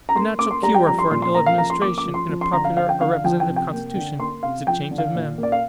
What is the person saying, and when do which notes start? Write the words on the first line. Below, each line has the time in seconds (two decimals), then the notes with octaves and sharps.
The natural cure for an ill-administration, in a popular or representative constitution, is a change of men.
0.09 A#5
0.16 A#3 C6
0.39 A#3 D6
0.51 C6
0.63 G3 A#5
0.74 G5
0.87 F3 A#5
0.99 C6
1.11 A#2 C6
1.22 C6
1.34 A#3 A#5
1.46 F5
1.58 F3 A#5
1.70 C6
1.82 A#3 D6
1.98 D6
2.05 F3
2.14 C6
2.29 F3
2.41 C6
2.53 D3 A#5
2.65 F5
2.77 F3 F5
2.89 G5
3.01 D3 F5
3.13 F5
3.24 F3 G5
3.40 G5
3.48 C3
3.56 G5
3.72 A#3
3.95 D3
4.19 A#3 C6
4.43 C3 F5
4.67 F3 G5
4.91 D3
4.98 F5
5.15 A#2
5.38 A#3
5.43 D5
5.52 F5